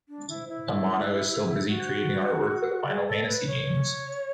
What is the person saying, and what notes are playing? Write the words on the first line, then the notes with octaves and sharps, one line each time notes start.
Amano is still busy creating artwork for the Final Fantasy games.
D4
E4
E4
F#4
G#4
A4
B4
C#5